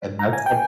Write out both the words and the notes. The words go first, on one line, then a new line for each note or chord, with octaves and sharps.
and that's some
A#5
G#5
G5